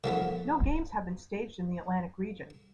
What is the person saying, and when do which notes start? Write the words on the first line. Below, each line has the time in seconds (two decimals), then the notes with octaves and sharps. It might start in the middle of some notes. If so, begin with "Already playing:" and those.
No games have been staged in the Atlantic region.
0.04 D#3 F3 A3 B3